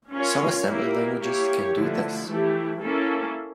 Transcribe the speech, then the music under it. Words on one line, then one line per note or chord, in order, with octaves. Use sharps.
Some Assembly languages can do this.
C#4 F4 A#4 C#5
A#3 E4 G4 A#4
A#3 E4 G4 C#5
D3 F3 A3 E4
E3 A3 E4 G4
A#3 C#4 E4 A4